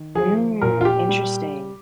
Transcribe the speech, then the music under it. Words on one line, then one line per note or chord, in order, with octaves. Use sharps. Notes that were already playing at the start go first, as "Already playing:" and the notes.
Mm, interesting.
Already playing: D#3
F3 G#4
A#2 A#4
F4
G4
G3